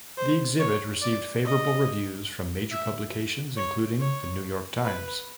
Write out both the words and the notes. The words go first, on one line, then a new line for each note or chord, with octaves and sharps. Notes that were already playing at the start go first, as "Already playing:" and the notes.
The exhibit received favourable reviews from major publications including "The New York Times".
C5
C#5
D5
D#5
E5
C#5
C#5
B4